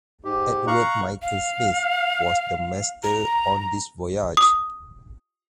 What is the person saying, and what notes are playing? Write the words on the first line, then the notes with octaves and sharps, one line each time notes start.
Edward Michael Smith was the master on this voyage.
G#2 G4
F5 A#5 C#6 F#6
F5
A#5
D#6